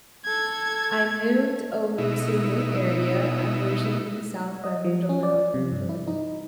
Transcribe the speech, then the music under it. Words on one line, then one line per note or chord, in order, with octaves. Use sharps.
I moved over to a new area, I'm originally from the south, but I moved over up north or whatever,
A4 G#6
B2 D#4 E4
D#5
F3
C#4
D5
C3
G2
E4
D#4